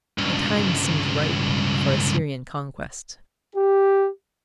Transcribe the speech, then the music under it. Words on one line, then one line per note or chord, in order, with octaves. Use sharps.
The time seemed ripe for Assyrian conquest.
C#2 G2
G4